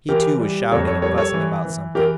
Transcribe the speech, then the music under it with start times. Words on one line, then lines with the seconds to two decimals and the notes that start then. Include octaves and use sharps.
He, too, was shouting and fussing about something.
0.09 E3 G4 A#4
0.40 G3
0.72 F2 A4 C#5
0.87 A4 C#5
1.02 G3 A4 C#5
1.18 A4 C#5
1.34 E3
1.65 E3
1.95 E3 G4 A#4